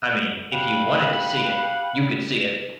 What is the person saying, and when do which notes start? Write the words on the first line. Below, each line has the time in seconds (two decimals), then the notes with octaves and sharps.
I mean, if you wanted to see it, you could see it.
0.52 G4 F5 F#5 B5